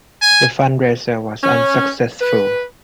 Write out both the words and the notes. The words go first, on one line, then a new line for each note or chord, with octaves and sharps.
The fundraiser was unsuccessful.
G#5
C#4
B4